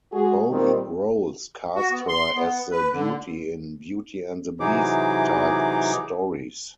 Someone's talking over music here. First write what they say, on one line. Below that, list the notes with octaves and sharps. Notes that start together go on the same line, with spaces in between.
Both roles cast her as the beauty in "Beauty and the Beast"-type stories.
G#3 F#4 G#4
A#2 D#3 G3 C4
F#4
B3
C6
B3
B4
D3
C3 E3 F#3 D#4 G#4 D6